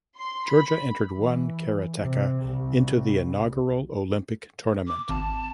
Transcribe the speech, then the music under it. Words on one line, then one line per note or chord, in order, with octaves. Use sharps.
Georgia entered one karateka into the inaugural Olympic tournament.
C6
B5
E3
C3
C2
D6
G#1 A5